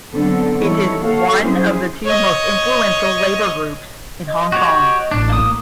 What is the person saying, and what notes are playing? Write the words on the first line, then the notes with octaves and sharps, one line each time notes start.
It is one of the two most influential labour groups in Hong Kong.
D3 F#3 B3 C4 A4
D#3 E3 G3 E4 A4 C#5
A#3 F#4 A4 C#5 F5
F#3 G3 C#4 E4 G#4 C5
C#5 D#5
D#5
F#4 G4 C#5
A1 A2 D4 E7
A#3 D#6